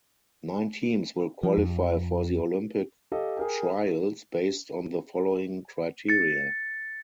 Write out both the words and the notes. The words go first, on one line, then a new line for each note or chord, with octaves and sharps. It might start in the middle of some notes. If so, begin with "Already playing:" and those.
Nine teams will qualify for the Olympic Trials based on the following criteria.
F3
F2
G4 A4 D#5 F5
G#4 A#4 G5
A6 C#7